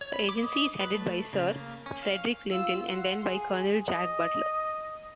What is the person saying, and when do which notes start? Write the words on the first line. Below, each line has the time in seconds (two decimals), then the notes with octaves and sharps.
The agency is headed by Sir Frederick Clinton and then by Colonel Jack Butler.
0.01 C#5
0.14 B5
0.29 D6
0.43 D#5
0.81 B4
0.94 A3
1.33 C#3
1.52 A#3
1.86 C#4
2.03 F5
2.51 F4 E6
2.86 F#5 C6
3.26 G#4
3.88 D#5